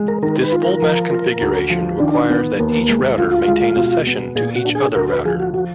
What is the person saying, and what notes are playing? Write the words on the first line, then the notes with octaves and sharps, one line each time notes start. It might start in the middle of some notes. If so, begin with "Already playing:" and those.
This full-mesh configuration requires that each router maintain a session to every other router.
Already playing: G#3
A#4
D#3 A#4
B4
F4
A#4
F3
F4
D2
F3
D#3 D4
B3
D#2 A#3
G#3
D2 F4
G#3
B2
B3
A#2 G#4
F#4
D4
G#4
D2 A#4
B4
F3 G#4
F#4
F3 F#4